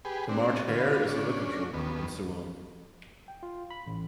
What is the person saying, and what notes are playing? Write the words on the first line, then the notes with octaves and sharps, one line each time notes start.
The March Hare is a lycanthrope, and so on.
G4 G#4 B4
C4 D4
D3 F4 B4
C#4 D4
D#2 B3
G5
F4
B5
A1